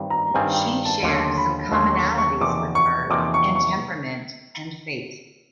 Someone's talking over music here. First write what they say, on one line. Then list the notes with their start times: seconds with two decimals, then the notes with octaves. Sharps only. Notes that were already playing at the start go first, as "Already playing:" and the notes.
She shared some commonalities with her in temperament and fate.
Already playing: G2 D#3 G3 C4
0.10 A#5
0.34 G2 D#3 G3 C4 G#5
0.51 G5
0.85 A5
1.03 D#2 D3 F#3 A3 C#4 C6
1.21 C6
1.37 B5
1.72 D#2 D3 F#3 A3 C#4 C6
1.95 C#6
2.18 C#6
2.41 E2 C3 F3 A#3 D#4 D6
2.75 C#6
3.10 E2 C3 F3 A#3 D#4 D6
3.34 C#6
3.56 C#6